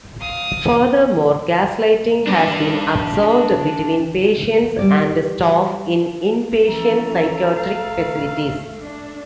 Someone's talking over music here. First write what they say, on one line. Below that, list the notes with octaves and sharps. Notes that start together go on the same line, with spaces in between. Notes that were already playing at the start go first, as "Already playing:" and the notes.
Furthermore, gaslighting has been observed between patients and staff in inpatient psychiatric facilities.
F5 D#6
D4 B4
G3 D5
E3 F3 C#4 A4 A#5
A3 F5
A3 D4